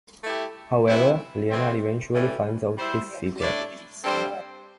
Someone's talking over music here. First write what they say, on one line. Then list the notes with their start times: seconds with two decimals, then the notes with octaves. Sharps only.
However, Leonard eventually finds out his secret.
0.23 A3 E4 G4
0.87 C3 E3 C4 E4
1.50 A2 E3 C4
2.13 A2 E3 G3
2.76 G3 E4 C5
3.41 A2 A3 D4 A4 D5
4.03 G2 G3 C4 A4 C5